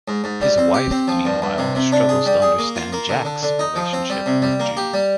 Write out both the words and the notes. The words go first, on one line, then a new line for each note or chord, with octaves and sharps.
His wife, meanwhile, struggles to understand Jack's relationship with June.
G#2
G#2
G3
C4
G4
C4
F3
G2
G2
C3
C3
D4
G#4
G3
G#4
A#3
F4
A#3
D3
D3
D3
D#4
F3
C4
G3
C3
G3
A#3
G4
G3